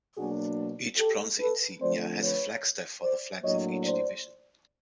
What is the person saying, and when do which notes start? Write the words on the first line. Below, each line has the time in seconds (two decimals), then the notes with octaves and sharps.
Each bronze insignia has a flagstaff for the flags of each division.
0.16 B2 F#3 A#3 D4 F#4 G#4
0.97 G4 A4
1.38 A4 B4
1.79 D3 F3 A3 C4 C5 D5
2.20 B4 C#5
3.01 C5 D5
3.42 A2 F#3 A#3 D4 C#5 D#5
3.82 C5 D5